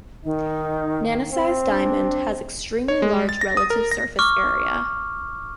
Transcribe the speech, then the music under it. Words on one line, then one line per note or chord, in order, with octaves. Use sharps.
Nanosized diamond has extremely large relative surface area.
D#3 D#4
C4
D4
C#5
G#3
A6
A#6
D#6
A#4
A#6
C#6 D6 F6